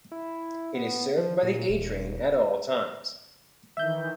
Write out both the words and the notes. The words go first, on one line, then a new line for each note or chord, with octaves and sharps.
It is served by the A train at all times.
E4
B3
F3
A#2
D#1
D#3 E3 E5 G6